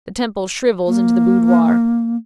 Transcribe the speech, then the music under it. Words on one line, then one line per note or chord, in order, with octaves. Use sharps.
The temple shrivels into the boudoir.
A#3